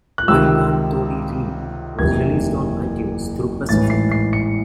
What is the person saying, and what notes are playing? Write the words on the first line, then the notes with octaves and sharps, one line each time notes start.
"Y Kant Tori Read" was released on iTunes through Pacific.
F#6
C#2 C3 D#3 E6
F#1 E2 C3 G#6
A1 G#2 E3 A6
C7
C7
C#7